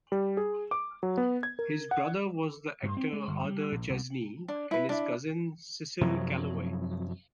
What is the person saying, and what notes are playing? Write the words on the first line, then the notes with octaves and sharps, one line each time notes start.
His brother was the actor Arthur Chesney and his cousin, Cecil Kellaway.
G3
G#4
D6
F#3
B3
G#6
A#4
F#5
G2
C4
G#3
G1
G3
A#1
C2
D4
E4 B4
D4 E4
F#2 C3 F3 F#3